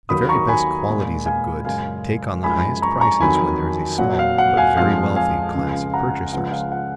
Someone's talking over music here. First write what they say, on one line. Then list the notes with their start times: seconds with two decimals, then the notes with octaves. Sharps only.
The very best qualities of goods take on the highest prices when there is a small, but very wealthy, class of purchasers.
0.09 D#2 D#3 F#3 B5 D#6
0.29 A#5 C#6
0.48 G#5 B5
0.88 A#2 G#3
1.26 F5 G#5
1.65 F#2 C#3 G#3 F5 G#5
2.43 F#2 F3 G#3 G#5 B5
2.82 A#5 C#6
3.01 A#5 C#6
3.21 F2 D#3 F#3 G#5 B5
3.98 A#2 F#3 F#5
4.19 F5
4.38 F#5
4.57 F5 G#5
4.76 F2 F3 G#3 F5
5.16 F5 G#5
5.55 C#2 C#3 F3 G#3
5.94 F#5 A#5
6.32 C#2 C#3 F3 G#3 F#5
6.51 F5
6.72 F#5